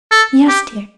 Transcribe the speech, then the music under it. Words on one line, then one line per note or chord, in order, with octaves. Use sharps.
"Yes, dear."
A4
G4